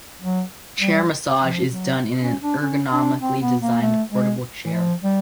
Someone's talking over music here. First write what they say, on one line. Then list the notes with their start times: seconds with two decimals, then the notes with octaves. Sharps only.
Chair Massage is done in an ergonomically designed portable chair.
0.22 F#3
0.81 G3
1.42 F3
1.72 F#3
2.22 C#4
2.42 D4
2.62 C#4
2.93 D4
3.22 C4
3.42 B3
3.63 A#3
3.82 A3
4.12 G#3
4.66 E3
4.73 F3
5.03 G3